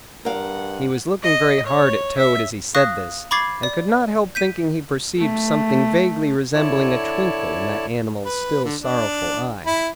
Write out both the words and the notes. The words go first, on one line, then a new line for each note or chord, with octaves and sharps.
He was looking very hard at Toad as he said this, and could not help thinking he perceived something vaguely resembling a twinkle in that animal's still sorrowful eye.
G2 A#4 F5 F#5
D#5
C#5
E5
F5 C#6 D#6 F#6 A#6
B5 C#6 D6 G#6 A6 C7
D5
G6 B6 D#7
A3
D3 E4 C#5 D5 A5
B4
D3
D4
E4 B5